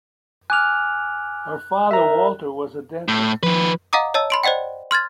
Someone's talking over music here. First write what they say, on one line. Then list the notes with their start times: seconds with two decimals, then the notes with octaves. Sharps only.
Her father, Walter was a dentist.
0.50 G#5 D6 F6 F#6 F7
1.91 A#4 E5 A#5
3.08 A2
3.43 D#3 F3 B4
3.93 D#5 F5 F#5 A#5 D6 D#6
4.14 C#5 D#5 A5 E6
4.30 B5 C6 D7
4.43 C5 D5 D#5 F#5 G5
4.91 C6 F6 G#6 A6